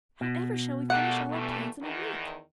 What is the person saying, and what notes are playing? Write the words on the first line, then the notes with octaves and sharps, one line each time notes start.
However shall we finish all our plans in a week?
B2
A#2 G3 A3 F#5
G2 E3 A3
E2 D#3 E3